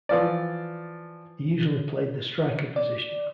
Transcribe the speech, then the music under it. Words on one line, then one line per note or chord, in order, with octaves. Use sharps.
He usually played the striker position.
E3 F3 D5
D5